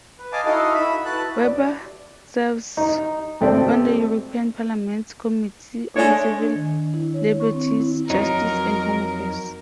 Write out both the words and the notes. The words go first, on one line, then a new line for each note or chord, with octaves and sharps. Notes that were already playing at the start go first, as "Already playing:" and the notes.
Weber serves on the European Parliament's Committee on Civil Liberties, Justice and Home Affairs.
B4
D#5 F5 G#5 A5 D6
D#4 E4 F#4 A4 D#5 F5
E5 B5
E4 F#4 B4 A5 F#6
D5
D#4
G#1 A3 C4 D5
G#3 A3 D4 C#5
D4
D#3
E4
C#5
C#6
C4
E4
F2 F#3 D#4 A#4